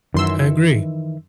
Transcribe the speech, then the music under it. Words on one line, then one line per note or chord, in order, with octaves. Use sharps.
I agree.
F#2 D#3 E3 C6 E6